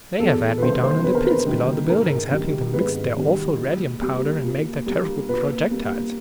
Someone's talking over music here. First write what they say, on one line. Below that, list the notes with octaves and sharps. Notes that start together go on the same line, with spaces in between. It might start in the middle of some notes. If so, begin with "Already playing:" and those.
They have had me down in the pits below the buildings helping them mix their awful radium powder, and make their terrible projectiles.
E2 A4
B4
C3 D#3 G3 A#3 C5
C5
E2 B4
A#4
B4
C3 D#3 G3 A#3
G#2 A#4
D#3 G3
G#2 B4
D#3 G3
A#2
G3 A#3
A#2
G3 A#3
A#2 B4
G3 A#3